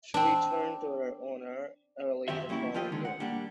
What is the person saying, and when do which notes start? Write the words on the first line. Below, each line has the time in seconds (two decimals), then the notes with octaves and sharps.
She returned to her owner early the following year.
0.14 C4 D4
2.28 F#2 D#3 G4 C5 E5
2.49 F#3 G3 A#3 C#4 E4
2.74 F3 C4 F4 G4 D#5
2.92 D3 D#3 G#3 D#4
3.05 F#5
3.20 G3 A#3 D4